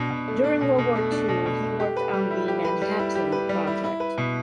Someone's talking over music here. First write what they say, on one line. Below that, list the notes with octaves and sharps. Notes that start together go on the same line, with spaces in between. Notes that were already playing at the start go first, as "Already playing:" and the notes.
During World War II, he worked on the Manhattan Project.
Already playing: B2 D4
B2
A3
D4
B2
B2
A3
D4
B2
B2
A3
G4
B4
G3
E4
G4
B4
G3
E4
G4
B4
G3
E4
E4
B4
B2